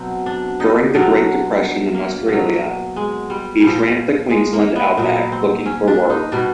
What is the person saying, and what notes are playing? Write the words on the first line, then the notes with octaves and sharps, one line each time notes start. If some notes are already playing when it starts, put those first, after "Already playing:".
During the Great Depression in Australia he tramped the Queensland outback looking for work.
Already playing: B2 F#3 C4
D4
D#4
B2 F#3 D4
A#3
B2 F#3
G#3
G3
A#2 F3 G3
G#3
A#3
B3
A#2 F#3 B3
C4
C#4
D4
D#4
B2 G3 D4